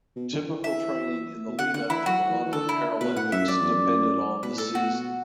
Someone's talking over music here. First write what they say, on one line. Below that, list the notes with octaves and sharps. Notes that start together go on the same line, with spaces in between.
Typical training in the lead up to the London Paralympics depended on the season.
B2
D3
E3
E5
B2
D3 F#5
D3 F#5
E3 E4
F#3 F#4
E3
E3
D3 A4
E4
B2 B4
A2 F#5
F#2 E5
F#2 D5
E2
F#2
B2 B4
A2 A4
B2
F#4